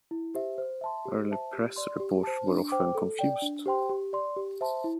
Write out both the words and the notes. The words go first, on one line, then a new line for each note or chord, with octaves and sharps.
Early press reports were often confused.
E4
G4 C5 E5
C5
E5 A5 C6
G4
C5 E5 A5
G4
D5 C6
G4
C5 A5
D4
C5 G5 D6
A4
D5 G5
D4
G4 C5 G5 C6
G4
D5 C6
G4
C5 E5 A5 C6
E4